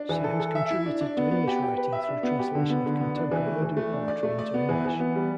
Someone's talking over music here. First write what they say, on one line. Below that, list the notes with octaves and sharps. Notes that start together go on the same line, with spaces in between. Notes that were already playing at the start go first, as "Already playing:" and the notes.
She has contributed to English writing through translation of contemporary Urdu poetry into English.
Already playing: D4
E3
A4
A4
E5
E4
D4
D4
B3
B3
G4
G4
B4
E5
D4
B3
G4
D3
B3
D3
B3
D4
E3
A3
E3
A3
D4
D5
A3
D5
B3
E3
E3
B3
G3